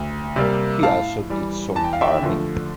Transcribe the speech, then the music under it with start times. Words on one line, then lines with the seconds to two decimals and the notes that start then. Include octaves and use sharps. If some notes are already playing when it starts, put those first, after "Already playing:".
He also did some farming.
Already playing: D2
0.36 C3 G3 A#3
0.83 A2 F5 A5
1.30 E3 G3
1.75 E2 A5
1.84 G5
1.93 F5
2.01 E5 G5
2.23 D3 F3 A3